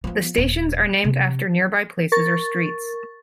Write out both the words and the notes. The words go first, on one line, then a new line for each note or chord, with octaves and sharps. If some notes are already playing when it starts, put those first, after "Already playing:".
The stations are named after nearby places or streets.
F3 B3
D#1
C3
A#4 C#6 A6